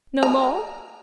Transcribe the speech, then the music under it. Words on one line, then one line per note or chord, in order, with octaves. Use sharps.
"No more?"
A#5